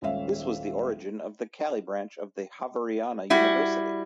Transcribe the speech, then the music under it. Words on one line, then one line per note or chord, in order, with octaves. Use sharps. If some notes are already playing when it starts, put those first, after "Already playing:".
This was the origin of the Cali branch of the Javeriana University.
D#1 G#1 C#4 E5 F5
G3 E4 F#4